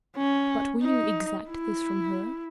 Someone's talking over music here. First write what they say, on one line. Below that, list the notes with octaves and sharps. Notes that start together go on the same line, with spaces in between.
But will you exact this from her?
C#4
D#4
E4